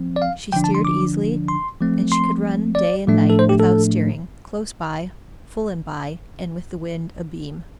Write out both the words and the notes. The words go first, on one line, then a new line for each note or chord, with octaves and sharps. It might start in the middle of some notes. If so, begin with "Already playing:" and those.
She steered easily, and she could run day and night, without steering, close-by, full-and-by, and with the wind abeam.
Already playing: F3 C4
D5
F5
D3 F3 D4 G5
A5
C6
D6
C6
F3 A3 C4
C6
D5
A2 F3 A3 D4
A4
C5
G4
A4